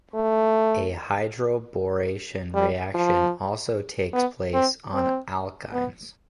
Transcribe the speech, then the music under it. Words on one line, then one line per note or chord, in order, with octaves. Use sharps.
A hydroboration reaction also takes place on alkynes.
A3
G3
F3
B3
C4
C4
B3